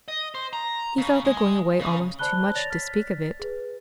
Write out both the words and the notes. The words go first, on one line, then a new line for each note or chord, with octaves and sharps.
He felt the going away almost too much to speak of it.
D#5
C5
A#5
C#3
G#3
C#3
C5 D5 A5 B5 F#6 G7
C#5 D5 A6 A#6 F7
F6 A6 B6
G#4 B4